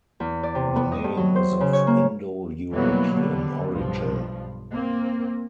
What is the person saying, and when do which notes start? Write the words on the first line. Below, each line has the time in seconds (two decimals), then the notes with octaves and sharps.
The name is of Indo-European origin.
0.20 E2
0.43 D5
0.55 C3
0.76 B3
0.92 D#5
1.04 G2
1.17 F#3
1.36 C5
1.60 C#3
1.73 C#5
1.87 A#3
2.71 B2 E3 F#3 G3 A#3 B3
3.12 D3 G3 B3
3.71 B1 G2 F3
4.71 A#3 C4